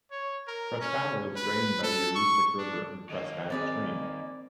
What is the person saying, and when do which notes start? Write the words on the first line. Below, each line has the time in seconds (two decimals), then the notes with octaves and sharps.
Presque Isle is drained by the Aroostook River and Presque Isle Stream.
0.11 C#5
0.48 A#4
0.81 C#4
1.36 B4
1.83 A4
2.15 C#6
2.58 D4
3.10 D#2 A#3 D#5
3.50 C4 G#4 B4 D5